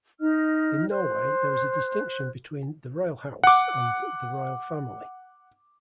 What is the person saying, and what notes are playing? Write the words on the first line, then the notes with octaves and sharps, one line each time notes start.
In Norway there is a distinction between the Royal House and the Royal Family.
D#4 D#5 F6
C5 F#6
F#5 D6